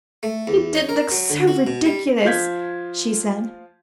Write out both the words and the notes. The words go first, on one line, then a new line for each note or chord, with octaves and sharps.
"He did look so ridiculous," she said.
A3
E2
C#5
A#4
F#3
D3
F#4
B2
G3
F3 F4 G6 G#6 B6